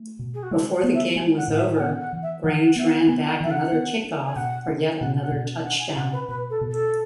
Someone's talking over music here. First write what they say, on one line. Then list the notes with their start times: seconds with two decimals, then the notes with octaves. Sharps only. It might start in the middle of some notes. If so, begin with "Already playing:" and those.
Before the game was over, Grange ran back another kickoff for yet another touchdown.
Already playing: A3
0.19 B2
0.34 G#4
0.43 F#4
0.51 G#3 E4
0.73 F#4
0.83 B3
0.94 E5
1.16 G#3 G#5
1.37 F#5
1.48 A2 F#5
1.58 E5
1.76 G#5
1.80 B3 F#5
2.01 F#5
2.13 E3
2.23 E5
2.44 E3 F#5
2.65 F#5
2.76 B3 E5
2.87 F#5
3.08 B3 G#5
3.25 G#5
3.29 F#5
3.40 E3 E5
3.51 F#5
3.72 B3
4.04 D4
4.26 G#5
4.36 B2 F#5
4.68 D4
5.00 B2 F#5
5.22 F#5
5.32 B2
5.64 D4 F#5
5.80 G#5
5.96 B2 F#5
6.13 B4
6.29 B2 B4
6.50 A4
6.61 B2
6.72 A4